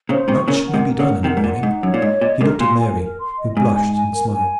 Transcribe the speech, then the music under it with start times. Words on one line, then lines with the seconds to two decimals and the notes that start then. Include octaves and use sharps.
"Much may be done in a morning." He looked at Mary, who blushed and smiled.
0.09 A#2 C#3 C5
0.28 G#2 C3 C#6
0.48 A#2 C#3 A#4
0.67 F#5
0.74 G#2 C3
0.86 A#4
0.99 A#2 C#3
1.05 A#4
1.24 C3 D#3 F#5
1.37 G#2
1.44 A#2 F#5
1.63 G#2 D#4
1.83 F#2 C#5
1.94 A#2
2.02 G#2 D#5
2.21 A#2 D#5
2.40 G#2 C3 A#4
2.60 A#2 C6
2.79 G#5
2.98 A#4
3.18 C6
3.37 D#5
3.56 G#2 G#5
3.76 G#5
3.95 G#5
4.14 A#4
4.33 G#5